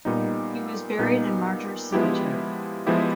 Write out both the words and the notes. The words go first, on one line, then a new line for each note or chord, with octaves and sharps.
He was buried in Martyrs Cemetery.
A#2 G3 B3 D#4
A#2 G3 B3 D#4
F3 G#3 B3 E4 G4
F3 G#3 B3 E4 G4